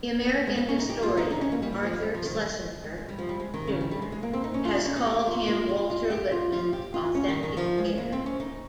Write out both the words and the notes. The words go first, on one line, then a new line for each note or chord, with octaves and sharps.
The American historian Arthur Schlesinger, Junior has called him Walter Lippmann's authentic heir.
G#3
A#3
C#4
D#4
G4
F4
D#4
D#4
C#4
A#3
G3
G3
F3
G3
F3
D#3
G3
G#3
G#3
G#3
G3
F3
G3
G#3
D#3
C#3
G3
G3
G#3
G#3
A#3
C4
D#4
C#4
F4
D#4
C#4
D#4
G4
F4
F4
F4
F4
G4
F4
F4
G4
F4
C#4
D#3
D#3
F3
G#3
A#3
C4
C#4
D#4